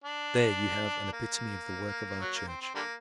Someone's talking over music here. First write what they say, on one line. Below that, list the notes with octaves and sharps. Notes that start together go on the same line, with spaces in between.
There you have an epitome of the work of our Church.
D4
A#3
F#3
A#3
C4
C4
D3 G3 A#3